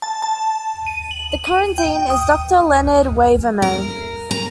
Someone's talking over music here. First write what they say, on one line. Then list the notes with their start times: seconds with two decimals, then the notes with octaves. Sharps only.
The current dean is Doctor Leonard Waverman.
0.02 A5
0.22 A5
0.87 D#7
1.11 F#7
1.46 D#7
1.78 G5
2.10 D#6
3.62 A#4
4.31 A#5